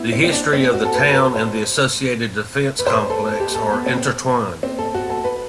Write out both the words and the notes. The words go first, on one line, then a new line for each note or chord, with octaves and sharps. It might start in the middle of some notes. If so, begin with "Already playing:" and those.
The history of the town and the associated defense complex are intertwined.
Already playing: B3 E4
C4
C4
D4
C4
F#4
A4
B4
A4
B4
C5
B4
C5
B4
A4
A4
G4
A4
B3
C4
C4
A4
F#4
A4
B4